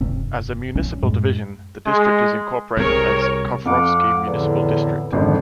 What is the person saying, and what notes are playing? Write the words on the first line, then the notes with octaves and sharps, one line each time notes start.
As a municipal division, the district is incorporated as Kovrovsky Municipal District.
F1 G2 C3 C4
A#1 G3 C#4
F#2 A2 G#3
G#3
C2 C3 G#4 A#4 C#5
F2 F5 F#5 D6
E2 A2 D3
G#1 F2 D3